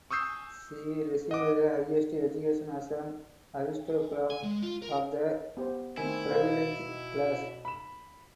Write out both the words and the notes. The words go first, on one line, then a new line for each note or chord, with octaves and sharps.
She received the highest education as an aristocrat of the privileged class.
C#6 D#6 E6 G6 C7
D#5 F#5 D6
G#5
G#3
F4
A#4
B3 G4 C5
D#3 A3 C4 E4 G#5
B2 D#4 B4 C5 D#5 F5 F#5
B5 E7